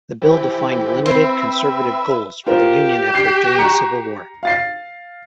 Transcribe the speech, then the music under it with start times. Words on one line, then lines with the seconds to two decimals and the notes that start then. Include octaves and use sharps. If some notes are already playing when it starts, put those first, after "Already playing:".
The bill defined limited conservative goals for the Union effort during the Civil War.
0.22 E3 G4 C5
1.06 C4 B4 E5
2.47 F4 G4 A#4 C5
3.14 G6 C7
3.59 A#5 C#7
4.43 F5 A6 C7